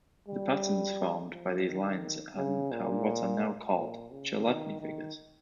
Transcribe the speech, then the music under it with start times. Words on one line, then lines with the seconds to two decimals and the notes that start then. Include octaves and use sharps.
The patterns formed by these lines are what are now called "Chladni figures".
0.28 G3
1.33 F3
1.67 D#3
2.38 C#3
2.72 A#2
3.77 A#2
4.11 C#3
4.46 D#3
4.81 D#3